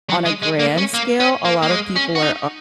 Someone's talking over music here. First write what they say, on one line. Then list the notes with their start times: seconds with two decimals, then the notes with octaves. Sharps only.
on a grand scale, a lot of people are
0.10 F#3
0.26 G#3
0.43 G#3
0.60 A#3
0.78 C#4
0.94 A#3
1.20 C#4
1.45 A#3
1.62 A#3
1.71 G#3
1.96 C#4
2.15 F#4
2.22 D#4